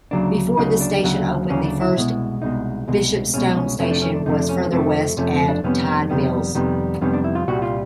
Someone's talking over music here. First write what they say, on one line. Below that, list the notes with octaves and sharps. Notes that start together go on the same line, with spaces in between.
Before this station opened the first Bishopstone station was further west at Tide Mills.
D2 C#3 F#3 A#3 D4
D2 C#3 F#3 A#3 D#4
D4
D2 C#3 F#3 A#3
D2 C#3 F#3 A#3 C#4
D4
E4
C2 B2 G#3
C2 B2 G#3 D#4
C2 B2 G#3
C2 B2 G#3 C#4
C#4
F2 C3 F3 A3 C#4
D4
C#4
D4
F2 C3 F3 A3 D#4
D4
C#4
C#4
F2 C3 F3 A3 C4
F2 C3 F3 A3 C#4
C4
D4
F2 C3 D#3 G3 B3 C#4
F2 C3 D#3 G3 B3
F2 C3 D#3 G3 B3
F2 C3 D#3 G3 B3 C#4
D4
E4
F4
C2 A#2 G3 F#4
F4